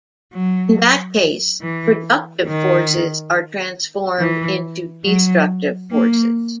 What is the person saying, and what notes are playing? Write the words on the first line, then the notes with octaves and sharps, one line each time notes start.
In that case, productive forces are transformed into destructive forces.
F#3
E3
D#3
E3
F#3
A#3